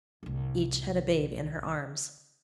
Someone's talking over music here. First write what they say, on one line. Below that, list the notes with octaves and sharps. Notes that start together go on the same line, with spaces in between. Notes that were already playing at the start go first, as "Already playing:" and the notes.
Each had a babe in her arms.
D1 C2